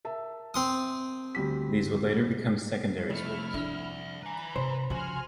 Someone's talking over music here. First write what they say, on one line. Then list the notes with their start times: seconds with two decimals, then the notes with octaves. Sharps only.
These would later become secondary schools.
0.05 A#4 E5 A5
0.54 C4 C6 D#6
1.35 D2 G3 B6
3.10 C2 F2 A3 E4 F6
3.54 D4 D5 E5
4.23 B4 G#5 A#5 B5
4.56 C3 C5
4.90 C#3 F3 F#4 G#5 C6 F6